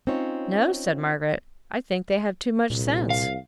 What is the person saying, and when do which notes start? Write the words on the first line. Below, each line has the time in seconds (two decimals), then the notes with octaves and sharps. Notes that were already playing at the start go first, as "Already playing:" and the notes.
'No!' said Margaret; 'I think they have too much sense.'
0.07 C4 C#4 D#4 F4 C#5
2.70 C2 A#2
3.10 F5